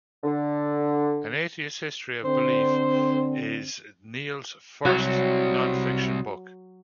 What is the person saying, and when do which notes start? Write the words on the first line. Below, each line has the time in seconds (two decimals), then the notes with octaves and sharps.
"An Atheist's History of Belief" is Kneale's first nonfiction book.
0.23 D3
2.25 D3 C4 C5
4.85 C2 F#3 F#4